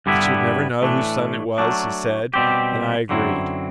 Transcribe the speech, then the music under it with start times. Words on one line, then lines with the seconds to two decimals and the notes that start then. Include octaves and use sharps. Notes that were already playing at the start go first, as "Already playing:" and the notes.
It should never know whose son it was, he said, and I agreed.
0.06 G2 D3 G3 B3 E4
0.82 A2 E3 A3 D4
1.58 F#3 A3 D4
2.34 B2 G3 C4 G4
3.09 F#2 D3 F#3 C4 E4